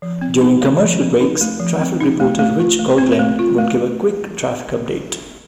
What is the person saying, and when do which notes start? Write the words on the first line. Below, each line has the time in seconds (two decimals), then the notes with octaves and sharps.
During commercial breaks, traffic reporter Rich Kirkland would give a quick traffic update.
0.02 F3
0.21 C4
0.41 D#4
0.61 A3
0.81 F3
1.01 C4
1.21 D#4
1.41 A3
1.60 F3
1.80 C4
2.01 D#4
2.20 A3
2.39 A3
2.60 F4
2.79 A3
2.98 C4
3.19 A3
3.39 F4
3.58 A3